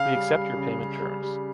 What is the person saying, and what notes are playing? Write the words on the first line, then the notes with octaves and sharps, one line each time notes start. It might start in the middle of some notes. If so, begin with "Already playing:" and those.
We accept your payment terms.
Already playing: C#3 F5
G3
G3
C#3
C#3
G3
G3